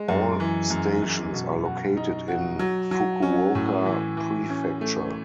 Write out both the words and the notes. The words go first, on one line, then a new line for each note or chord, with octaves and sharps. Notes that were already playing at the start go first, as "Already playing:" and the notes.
All stations are located in Fukuoka Prefecture.
Already playing: G#3
F#2
E3
F#2
F#2
B2
F#4
D#4
F#4
F#3
F#3
C#4
A2
E3
E3
C#4
A3